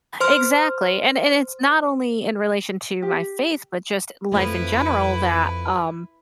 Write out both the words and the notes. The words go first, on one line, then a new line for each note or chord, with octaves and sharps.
Exactly, and and it's not only in relation to my faith, but just life in general that um,
C5 C6 F6
G4
F2 F3 A3 E4 B4